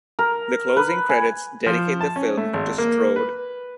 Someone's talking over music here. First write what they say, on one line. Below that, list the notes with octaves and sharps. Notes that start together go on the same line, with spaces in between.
The closing credits dedicate the film to Strode.
A#4
B4
G#5
F3
A5
C#4
A3
G#1
A#3
B4